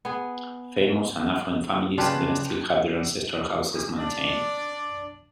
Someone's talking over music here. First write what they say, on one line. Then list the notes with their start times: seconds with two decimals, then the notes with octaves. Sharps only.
Famous and affluent families then still have their ancestral houses maintained.
0.05 B3 G#4
1.98 C#3 F4 G4 B4 D5 A5 F#6
3.96 D4 D5